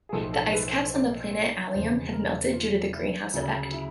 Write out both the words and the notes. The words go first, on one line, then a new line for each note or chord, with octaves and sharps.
The ice caps on the planet Allium have melted due to the greenhouse effect.
G#4
B1 A2 F3 A3 A4
A4
B4
C5
E1 E2 C#3 F3 G#3 C5
A#4
F4
E4
D2 C#3 F#3 E4
E4